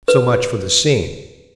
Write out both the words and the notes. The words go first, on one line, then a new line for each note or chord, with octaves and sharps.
So much for the scene.
B4